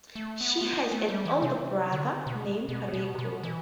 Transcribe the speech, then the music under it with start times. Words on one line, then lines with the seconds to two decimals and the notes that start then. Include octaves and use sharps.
She has an older brother named Riku.
0.15 A3
0.41 B3
0.61 A3
0.66 B3
0.91 A3
1.08 G3
1.25 E3
1.42 C3
1.92 D3
2.27 B2
2.69 B2
2.93 B2
3.19 B2
3.43 E3